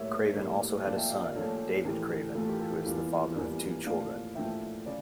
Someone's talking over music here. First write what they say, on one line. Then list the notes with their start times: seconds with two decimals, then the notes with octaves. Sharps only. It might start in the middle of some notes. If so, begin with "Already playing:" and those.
Craven also had a son, David Craven, who is the father of two children.
Already playing: A2 G3 A#3 C#5 E5
0.35 A2 G3 A#3
0.84 A#2 F3 A3 D5 F5
0.97 E5 G5
1.09 D5 F5
1.22 A#4 D5
1.35 A#2 F3 A3 A4 C#5
1.85 A2 E3 A3 G4 A#4
2.35 A2 E3 A3 F4 A4
2.47 G4 A#4
2.60 F4 A4
2.73 F4
2.86 E2 E3 G3 A#3 F4
3.35 E2 E3 G3 A#3 A#4 D5
3.86 A2 F3 A#3 D5 F5
4.35 A2 F3 A#3 E5 G5
4.86 C#3 D5